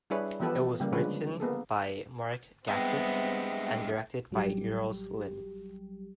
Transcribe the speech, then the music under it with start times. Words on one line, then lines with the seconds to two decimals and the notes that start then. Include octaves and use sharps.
It was written by Mark Gatiss and directed by Euros Lyn.
0.10 G3 D4 E4 G#4 B4 C#5
0.40 E3 F3 B3 G4 A4 B4
0.80 C#3 G3 A#3
0.93 D3 F3 G#3 C#4 B4
1.40 A#3 B3 G#4 A4
2.68 G2 G3 G#3 B3 C4 E5 G5 A#6
4.31 A1 F#3 G3 G4